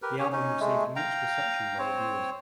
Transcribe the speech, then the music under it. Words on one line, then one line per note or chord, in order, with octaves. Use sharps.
The album received mixed reception by reviewers.
G4 A#4 B4
C#4 G4 C#5
C#4 D#4
G#3 A3
F5 G5 A#5
C4 C5 C#5